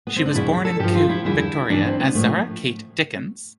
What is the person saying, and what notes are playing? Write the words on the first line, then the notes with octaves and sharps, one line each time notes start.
She was born in Kew, Victoria as Zara Kate Dickins.
B3
C4
D4
E2 B2 G3 E4
A4
G2 F3 G4
F4
E4
E2 D3 G3 E4
G2 E3 G3 D4
C4
B3
A2 F3 A3